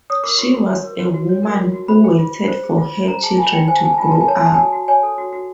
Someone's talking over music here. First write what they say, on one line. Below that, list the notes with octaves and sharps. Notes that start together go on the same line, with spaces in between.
She was a woman who waited for her children to grow up.
C#5 D#6
A#4 D6
F#4 C#6
F#4 C6
C#5
A#4
F#4
F#4
C#5
A#4
F#4
F#4
C5 B5
G#4
F4
F4
C5
G#4
F4
F4
C5 A#5
G#4 A5
F4 G#5
F4 G5
C5 G#5
A5
G#4 G#5
A5
F4 G#5
F4 A5
G#5
C#5 A5
G#5
A4 A5
F#4 G#5
F#4
C#5 G#5
A4
F#4
F#4